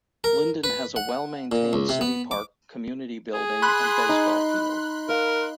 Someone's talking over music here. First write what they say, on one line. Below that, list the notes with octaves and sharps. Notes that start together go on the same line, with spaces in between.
Linden has a well maintained city park, community building, and baseball field.
A#4
B4
F#5
A#2
C#2
C3
B3
D6
G#4
B5 C6 F#6
D#4
A#4 F5